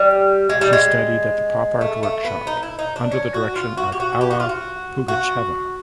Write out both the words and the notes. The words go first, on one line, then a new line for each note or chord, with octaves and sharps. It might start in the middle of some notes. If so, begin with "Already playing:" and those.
She studied at the pop art workshop under the direction of Alla Pugacheva.
Already playing: G3
G#3
G3
G#3
A3
A3
B3
D#4
E4
D#4
D4
C#4
F#4
F4
F#4
G4
F#4
G4
F#4
F4
F#4
F#4